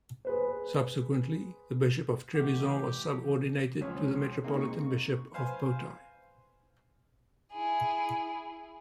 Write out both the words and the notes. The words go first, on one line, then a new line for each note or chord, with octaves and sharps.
Subsequently, the Bishop of Trebizond was subordinated to the Metropolitan Bishop of Poti.
G#4 B4 C5
E3 A3 D#4 F#4 G4
C#2 F3 C#4 C#5
G#3 A#3 C4 D#4
C#6
B4 C5 F5 G#5
E4 G#4